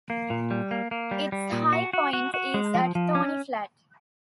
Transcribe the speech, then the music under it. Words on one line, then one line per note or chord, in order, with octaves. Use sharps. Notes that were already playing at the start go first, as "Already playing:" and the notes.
Its high point is at Thorny Flat.
A#3
A#2
G3
A#3
A#3
G3
G3
A#2
F#4
F#4
F#4
F#4
G#3
F3
F3
C#4